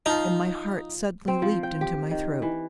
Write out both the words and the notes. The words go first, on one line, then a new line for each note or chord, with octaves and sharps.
And my heart suddenly leaped into my throat.
F3 D#4 F4
C4
F3
G5
G4
D#3
E3